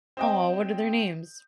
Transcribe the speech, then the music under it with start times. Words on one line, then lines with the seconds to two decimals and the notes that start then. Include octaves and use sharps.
Aw, what are their names?
0.17 C4 D#5 G5